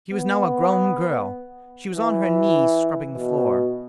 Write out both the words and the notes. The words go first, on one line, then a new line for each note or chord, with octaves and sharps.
She was now a grown girl; she was on her knees scrubbing the floor.
B3
E3
B2